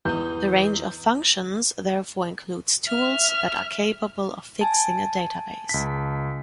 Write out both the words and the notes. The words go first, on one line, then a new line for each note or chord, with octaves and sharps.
The range of functions therefore includes tools that are capable of fixing a database.
E2 E3 D#4 G6
E5 F6
G#5 A5
C#2 B6